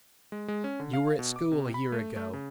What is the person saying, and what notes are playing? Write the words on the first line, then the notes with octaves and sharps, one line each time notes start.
You were at school a year ago.
G#3
G#3
C#4
D3
F5
B2
D6
C3
B5
A3
A3
C#3